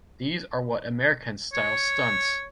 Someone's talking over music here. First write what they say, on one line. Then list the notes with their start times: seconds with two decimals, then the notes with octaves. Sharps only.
These are what Americans style stunts.
1.54 C#5